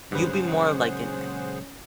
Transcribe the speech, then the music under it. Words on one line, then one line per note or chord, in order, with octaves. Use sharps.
you'll be more like an e
C#2 G2 F#3 C#4 G#4 B4 C5 F#5